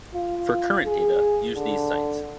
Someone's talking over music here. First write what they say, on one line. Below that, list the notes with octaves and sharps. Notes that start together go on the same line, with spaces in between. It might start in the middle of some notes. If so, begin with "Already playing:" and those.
For current data, use these sites.
F4
G#4
D3